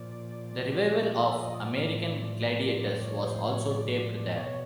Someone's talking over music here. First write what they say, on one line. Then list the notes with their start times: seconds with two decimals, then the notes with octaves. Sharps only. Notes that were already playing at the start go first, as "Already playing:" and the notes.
The revival of "American Gladiators" was also taped there.
Already playing: A#2 F3 D5
1.04 D#5
1.21 E5
1.37 D#5
1.54 D5
1.70 A2 F3
3.03 C#5
3.26 C5
3.48 C#5
3.70 D5
4.36 B2 C#5